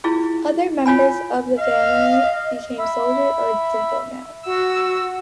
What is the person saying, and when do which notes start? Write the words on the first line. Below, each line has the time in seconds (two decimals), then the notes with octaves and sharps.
Other members of the family became soldiers or diplomats.
0.04 E4 F4 G#4
0.86 F4 C#5 G#5 B5
1.58 D#5 F5
2.79 E5 B5
4.46 F#4 F#5 E6